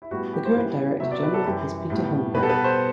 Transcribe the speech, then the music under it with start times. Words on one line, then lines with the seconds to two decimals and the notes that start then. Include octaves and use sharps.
The current Director General is Peter Holmgren.
0.02 E4
0.11 A2 G3 B3 F#4
0.33 G4
0.45 C5
0.55 A2 E3 G3 B3 B4
1.00 C3 F#3 B3 E5
1.11 D5
1.23 B4
1.34 A4
1.45 F#2 E3 G3 G4
1.90 A2 G3 B3
2.34 B2 G3 B3 B4
2.43 A4
2.49 B4
2.64 C5